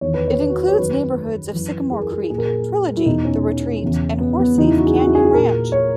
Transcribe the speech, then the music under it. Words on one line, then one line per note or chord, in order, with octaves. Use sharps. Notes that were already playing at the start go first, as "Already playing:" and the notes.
It includes the neighborhoods of Sycamore Creek, Trilogy, The Retreat and Horsethief Canyon Ranch.
E2 D#3 C#5
B4
C#5
B4
F#4
B4
C#5
F#2 D#3 B4
F#2 E3
G#4
A#4
G#4
A#2 G#4
A#4
G#4
E4
E2 B2 D#4
C#4
E2 C#3 E3
B3
B3
E2 C#3 E3 D#4
E4
F#4
G#4
F#4
E4
G#4
G#4
A#2 A#4
C#5